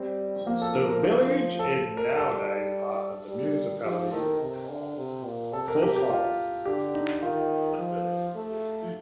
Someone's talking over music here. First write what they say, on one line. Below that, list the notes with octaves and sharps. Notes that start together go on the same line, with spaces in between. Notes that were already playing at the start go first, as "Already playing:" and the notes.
The village is nowadays part of the municipality of Korsholm.
Already playing: G3 C4
F3 A#3
A4
A#4
A#4
C5
A4
A#4
G3 A4
G3
F3 G4
D#3 A4
A#4
C3
D3
C3
A#2
C3 A4
A#4
C3 G4
G4
F4
D3 G4
D#4
D#3 F4
F3
A3